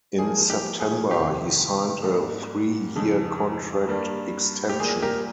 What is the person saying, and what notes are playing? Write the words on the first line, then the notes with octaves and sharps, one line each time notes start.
In September, he signed a three-year contract extension.
A#2 F3 A#3 G#4
G4
G#4
F2 C3 D#3 G4
G#2 G3 A#3
F2 C#3 G#3
G2 G3 A#3
G4
A#2 G3 A#3 G#4
G4 A#4